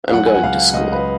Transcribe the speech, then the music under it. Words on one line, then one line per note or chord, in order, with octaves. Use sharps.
I'm going to school.
F5
F#3 F#5
G#5
F#5
C#2 F5
C#2 D#5
B4